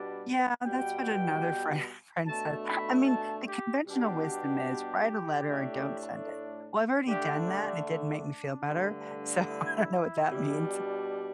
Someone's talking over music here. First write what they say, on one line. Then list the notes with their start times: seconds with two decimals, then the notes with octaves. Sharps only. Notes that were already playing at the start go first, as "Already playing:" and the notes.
Yeah, that's what another friend friend said. I mean, the conventional wisdom is write a letter and don't send it. Well, I've already done that, and it didn't make me feel better. So I know what that means.
Already playing: B2 G3 B3 D4
0.66 B2 G3 B3 G5
2.26 B2 A3 D4 A5
2.66 B5
3.06 A5
3.47 G4
3.86 B2 G3 B3 D4 G4
5.47 A2 A3 D4
7.07 D3 A3 D4 G4
7.47 G4
7.88 D4
8.68 G2 D3 A3
9.48 E4
10.28 B2 G3 D4